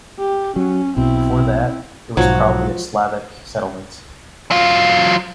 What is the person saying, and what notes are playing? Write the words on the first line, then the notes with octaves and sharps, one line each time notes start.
Before that, it was probably a Slavic settlement.
G4
F#3 C#4
B1 B2 C4 E4
B1 G#2 F3 F#3 F#4 C#5
F#3 F4